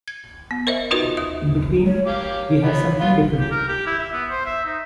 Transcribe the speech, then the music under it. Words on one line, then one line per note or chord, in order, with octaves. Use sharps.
In between we have something different.
G#6
B3
A#4 C5 D#5 E5
D#4 F4 F#4 A#4 B4 D#5
D#2 D#6
C#5
G4 C#5 F5 D6
E3 F3 B3
B3 F4 F5
G4
A#4
G4
E4
E5
B3
C5
E5
D#4